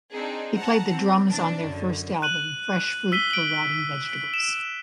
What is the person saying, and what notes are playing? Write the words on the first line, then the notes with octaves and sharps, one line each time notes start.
He played the drums on their first album, "Fresh Fruit for Rotting Vegetables".
C4 D4 D#4 G#4
F#5 A5 A#5
C4
C3 E3 D4
F#2 D3
F#6 D#7 F#7
E6 B6 D#7 G7
D7 F#7
E7